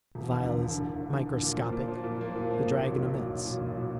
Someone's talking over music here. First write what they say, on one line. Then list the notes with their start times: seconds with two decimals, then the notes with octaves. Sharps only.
The phial is microscopic, the dragon immense.
0.15 E1
0.32 D#2 D3
0.47 E1
0.62 D#2 D3
0.78 E1
0.94 D#2 D3
1.10 E1
1.26 D#2 D3
1.41 A#2
1.56 F3 A#3
1.72 A#2
1.88 F3 A#3
2.04 A#2
2.19 F3 A#3
2.36 A#2
2.51 F3 A#3
2.67 B1
2.82 A#2 F#3
2.98 B1
3.14 A#2 F#3
3.29 B1
3.45 A#2 F#3
3.61 B1
3.77 A#2 F#3